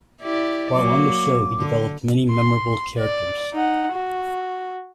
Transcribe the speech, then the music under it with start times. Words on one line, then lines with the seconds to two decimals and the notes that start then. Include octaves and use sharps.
While on the show, he developed many memorable characters.
0.22 E4 G4 D5
0.74 F#3 A#3 D6
1.59 D3
2.30 C6
2.99 D5
3.54 D#4 F#5
3.92 F#4